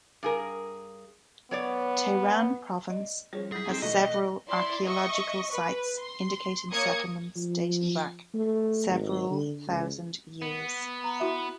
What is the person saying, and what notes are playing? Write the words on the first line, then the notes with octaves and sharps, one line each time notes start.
Tehran Province has several archaeological sites indicating settlements dating back several thousand years.
G2 G#4 A#4
F#3 B3 C#5 D5
D5 D#5
F3 G3 C#4 G#4
F#3 E4 G#4 G6 B6
C4 D#4 G4 G#4
B2 E3 A3 D#5
E4 D5 C6
D#5 E5 C#6
B4
C6
A#3 C#5 D#6 G#6 C#7
F3
A3
G#1
D3
C#2
B3
A#5
E4 F#4 E5